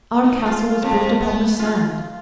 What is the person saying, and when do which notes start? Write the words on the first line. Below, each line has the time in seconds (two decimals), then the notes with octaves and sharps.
Our castle was built upon the sand.
0.24 D#4
0.46 F4
0.82 F2
1.21 B3
1.59 F4